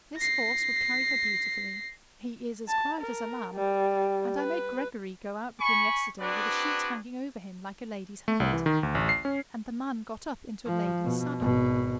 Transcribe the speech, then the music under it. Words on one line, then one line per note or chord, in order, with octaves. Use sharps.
"This horse would carry her beautifully: he is as quiet as a lamb, and I made Gregory go out with him yesterday with a sheet hanging over him like a lady's habit, and the man got up into a lady's saddle."
A#6 C7
A5
A#4
G3
B4
G#5 B5 C#6
C4 D4 F#4 G#4 B4 D5
A3
C2
E3
D#3
D2
A1
C7
C#4
F3
B2
G#1 B2